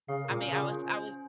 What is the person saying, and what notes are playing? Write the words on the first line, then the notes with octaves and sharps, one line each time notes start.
I mean, I was I was
C#3 F5
A#2 A#4
C#4
C#3
F4
C#4
C5
C#4